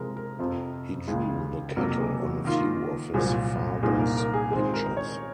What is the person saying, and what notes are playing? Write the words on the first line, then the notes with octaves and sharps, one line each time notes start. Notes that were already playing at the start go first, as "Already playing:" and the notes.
He drew the cattle on a few of his father's pictures.
Already playing: C3 F3 G#3 A#4
A#4
F2 C3 F3
C#2 C#3 G#3
F2 C3 F#3 A#3
G#4
F#4
D#3 A#3 F4
C2 A#2 F#3 C4 F4 G#4
C2 A#2 F3 A#3 D#4 G#4
A#4
A#4
G#4
D#3 G#3 C4 F4 G#4
A#4
C#5